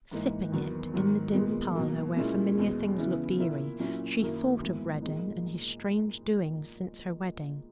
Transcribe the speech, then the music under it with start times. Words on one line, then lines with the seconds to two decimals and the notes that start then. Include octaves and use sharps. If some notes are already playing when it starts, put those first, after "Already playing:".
Sipping it in the dim parlour, where familiar things looked eerie, she thought of Reddin and his strange doings since her wedding.
0.11 G#2 E3 A#3 D#4
0.52 E2 D#3 F#3 B3
0.94 G#2 D#3 F#3
1.34 A#2 G#3 B3
1.75 B2 F#3 A#3
2.17 A#2 G#3 C#4 E4
2.57 E2 B2 G#3
2.98 C#3 E3 B3 E4
3.39 A#2 A#3 E4
3.80 A#2 F#3 C#4 E4
4.21 F#2 D#3 F#3 A#3 E4
4.61 G#2 E3 B3
5.02 A#2 G#3 D#4